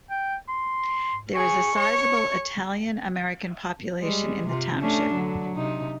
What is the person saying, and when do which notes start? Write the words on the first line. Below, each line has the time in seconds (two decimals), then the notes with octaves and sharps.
There is a sizable Italian American population in the township.
0.10 G5
0.48 C6
1.35 G#4 C#6
1.75 C#5
4.01 G3 G#3
4.47 C3 F4
4.80 A3 C#4 D4
5.13 D3 F#3
5.56 C3 D#4